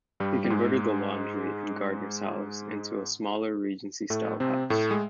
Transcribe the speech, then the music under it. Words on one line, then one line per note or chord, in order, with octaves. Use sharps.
He converted the laundry and gardener's house into a smaller Regency-style house.
G2 G3
G3
G#2 G#3
A2 A3
C3 C4
A2 A3
G#3